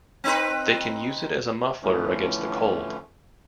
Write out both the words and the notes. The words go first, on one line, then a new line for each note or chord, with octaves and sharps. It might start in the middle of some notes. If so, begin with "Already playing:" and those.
They can use it as a muffler against the cold.
C4 D#4 B4
A2 D3 E3 F3 A3 C#4